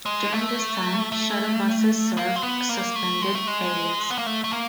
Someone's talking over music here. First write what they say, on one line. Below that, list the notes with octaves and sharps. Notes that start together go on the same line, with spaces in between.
During this time, shuttle buses served suspended areas.
G#3
A3
A3
A#3
C4
B3
A#3
A3
G#3
A3
G#3
B3
A#3
A3
A3
A#3